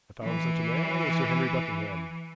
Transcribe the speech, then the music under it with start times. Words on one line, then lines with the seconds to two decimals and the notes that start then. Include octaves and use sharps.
I found such a man in Sir Henry Buckingham.
0.24 E3